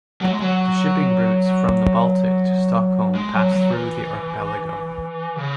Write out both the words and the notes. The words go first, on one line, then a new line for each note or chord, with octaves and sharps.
The shipping routes from the Baltic to Stockholm pass through the archipelago.
F#3
G#3
F#3
G#3
F#3
F#3
E3
C#3